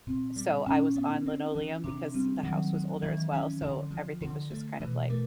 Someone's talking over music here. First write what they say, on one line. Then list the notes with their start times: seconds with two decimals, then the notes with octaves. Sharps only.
So I was on linoleum because the house was older as well. So everything was just kind of like,
0.07 A#2 C4
0.36 G3
0.66 A#2 C#4
0.96 B3
1.26 C4
1.55 E3
1.84 C3 D4
2.14 G3 C4
2.43 D#3 F#3
2.74 G#3
3.02 D#3 E3
3.33 C#4
3.61 D3
3.91 F3
4.21 D3
4.50 A3
4.80 B2 E3
5.10 A#2 A3